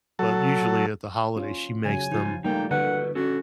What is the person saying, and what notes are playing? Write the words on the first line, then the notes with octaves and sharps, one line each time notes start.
but usually at the holidays she makes them,
F#3 A4
C#4 F4
C#3 F#3 G#5
F3 D#4 F4
G3 A3 A#3 D#4 G5
D3 F#4 A#4 B4 F#5
C#4 F#4 A4